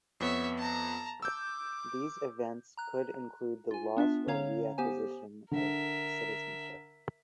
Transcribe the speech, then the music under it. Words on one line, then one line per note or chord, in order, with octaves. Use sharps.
These events could include the loss or reacquisition of citizenship.
F2 B3 C#5 E5
A5 A#5
D6 E6 G6
A#5 F#6
F4 G#5
B3 D4 F4 E5
D3 C#4 C#5 F5 A#5
B3 G4 C5 G#5
D3 A#4 E5